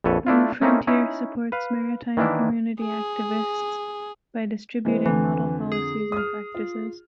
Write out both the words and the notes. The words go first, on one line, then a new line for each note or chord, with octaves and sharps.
Blue Frontier supports maritime community activists by distributing model policies and practices.
A#1 F2 A4 B4 C#5
A3 D4 E4 F4
A3 A#3 C4 C#4 D#4 E4
C#4 D#4 E4
B4 F5
D#3 E3 A#3 D4 E4
G#4
E3 G#3 C4
F2 D3 E3
G#4
D#6 F6
F4